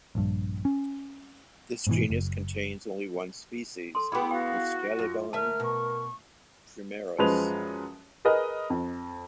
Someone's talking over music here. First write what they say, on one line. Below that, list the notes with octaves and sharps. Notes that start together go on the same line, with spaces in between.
This genus contains only one species, "Mustelodon primerus".
A#1 G2
C#4
G#2 B2 E3
F#1
A4 C6
B3 E4 F#4 G#4 F#5 G5 B5
F#4 F5 G5
F#2 F4
D2 A#4 E5 A5 F6
B2 C#6
F#2 F3 G#3 B4 F7
G#4 A#4 B4 D#5
F2